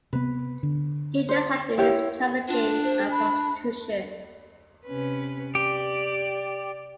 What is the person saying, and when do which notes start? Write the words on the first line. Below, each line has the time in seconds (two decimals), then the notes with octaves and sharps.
You just had to mix trafficking and prostitution.
0.13 C3 B3 B4
0.63 D3
1.29 C5
1.78 E4 G4 C#5
2.48 D4 F4
2.84 C5
3.11 B5
4.86 C3 C#4 B4
5.55 G4 D5